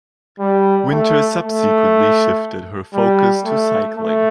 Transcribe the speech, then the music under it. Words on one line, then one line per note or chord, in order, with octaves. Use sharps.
Wynter subsequently shifted her focus to cycling.
G3
A3
A3
G3
A3
A3